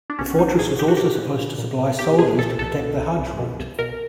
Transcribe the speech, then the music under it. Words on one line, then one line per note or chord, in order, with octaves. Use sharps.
The fortress was also supposed to supply soldiers to protect the hajj route.
D4
B1 C#4
B1 D#4
A#2 G#4
A#2 G4
F#4
A#2 G4
A#2
A#2
A#2
A#2
B1 G4
B1 G#4
A#2 A4
C2 A4
B2
C2
C2
B2
C2
B2 A#4